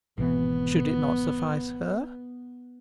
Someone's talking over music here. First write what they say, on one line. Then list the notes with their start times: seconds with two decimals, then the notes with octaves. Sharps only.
Should it not suffice her?
0.18 G#1 B2 E3 B3